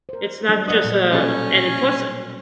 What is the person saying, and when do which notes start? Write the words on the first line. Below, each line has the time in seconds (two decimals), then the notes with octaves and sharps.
It's not just a and then plus
0.09 A#4 C5
0.48 F#3 G3 D4
0.68 D4 A4 A#4 D#5 F#5
0.84 A#2 F#3
1.12 B2 C#4 A4